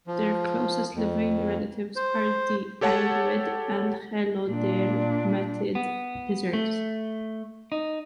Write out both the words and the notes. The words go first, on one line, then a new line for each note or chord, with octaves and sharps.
Their closest living relatives are the anguid and helodermatid lizards.
F3
F2
C5
G4 A4 C#5 F#5 A5
A#2 D4
B3
A3
D#4